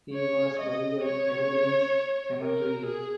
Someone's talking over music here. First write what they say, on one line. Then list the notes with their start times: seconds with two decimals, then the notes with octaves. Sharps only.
He was buried at Evergreens Cemetery.
0.14 C#5
0.60 D#5
1.05 C#5
2.41 A#4
2.87 G#4